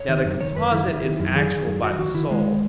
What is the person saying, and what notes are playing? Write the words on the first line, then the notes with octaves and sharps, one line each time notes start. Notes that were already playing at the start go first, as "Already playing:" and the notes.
Now the composite is actual by the soul.
Already playing: C#5
D#3
F#2
D#3 C#5
F#2 B4
D#3 E4
D#3
D#3
F#2
D#3 G#4
D#3
F#2
F#2 F#4
D#3 F#4
D#3 E4
D#3 G#3